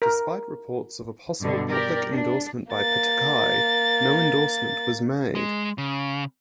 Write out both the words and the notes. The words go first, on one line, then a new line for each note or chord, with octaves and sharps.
Despite reports of a possible public endorsement by Pataki, no endorsement was made.
A#4
G2 B2 D3
G4 A#4 D5
D4
A#3 A6
G#3
C#3